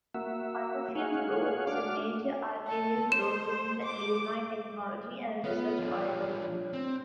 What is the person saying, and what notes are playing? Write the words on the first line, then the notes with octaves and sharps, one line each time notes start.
Butterfield Road is a major arterial road within the Illinois Technology and Research Corridor.
A#3 F#4 E5
G#4 C#5 F5 F#5
D4 F#4 D6 F6
A4
C5 E7
D6
B3 F4 C#5
F3 D4
C4